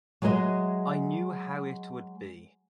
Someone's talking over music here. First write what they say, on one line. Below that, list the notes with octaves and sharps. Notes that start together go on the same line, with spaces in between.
I knew how it would be.
F#3 G#3 G#4 A#4 D#5 E5